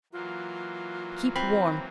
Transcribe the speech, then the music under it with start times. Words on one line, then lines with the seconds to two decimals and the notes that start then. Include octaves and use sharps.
Keep warm.
0.13 E3 F#3 A#3 F4
1.36 C4 B5